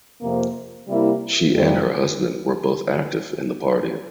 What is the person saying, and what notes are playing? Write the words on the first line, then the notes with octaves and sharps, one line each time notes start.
She and her husband were both active in the party.
F2 C3 F3 A#3
C3 G3 A#3 E4
F2 C3 G3